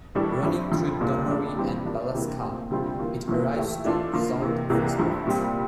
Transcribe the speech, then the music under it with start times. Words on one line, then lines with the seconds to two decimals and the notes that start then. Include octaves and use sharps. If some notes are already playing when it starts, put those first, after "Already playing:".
Running through Dunmurry and Ballyskeagh it arrives to the south of Lisburn.
0.15 A2 E3 G3 D4 A4
0.43 G2 F3 C4 E4
0.72 F2 D3 F3
1.00 C2 A#2 G3 A#3 D4
1.28 F2 D3 A3 D4
1.57 G2 E3 G3 C4
1.85 F3 A#3 D4
2.13 D2 C3 E3 A#3
2.42 A#2 A3 C4
2.70 D2 C3 G3 C4 F4
2.99 E3 A#3 F4
3.27 A#2 F3 A#3 E4
3.56 E3 A3 E4 G4
3.84 E3 A3 D4 F4 A4
4.13 D3 F3 A#3 F4
4.42 C3 E3 A#3
4.70 C2 C3 E3 A#3
4.98 G2 F3 A3 E4
5.27 A#2 G3 C4 G4